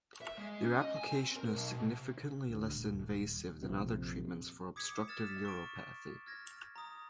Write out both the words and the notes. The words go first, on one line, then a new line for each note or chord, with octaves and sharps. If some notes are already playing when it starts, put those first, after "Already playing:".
Their application is significantly less invasive than other treatments for obstructive uropathy.
E5
G#3
C#4
D#5
G#5
C4
A#4
B1
B2
C3
D2
D#1
A#1 F2 C3
D6 D#6 G#6 B6 C#7
F6 A6 E7
B6
C#6 D7
F6 G#6 A#6
A#5 D#6